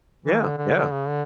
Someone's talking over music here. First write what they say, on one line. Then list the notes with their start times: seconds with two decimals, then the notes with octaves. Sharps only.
Yeah, yeah.
0.25 E3
0.41 D3
0.57 D3
0.75 D3
0.92 C#3
1.08 D3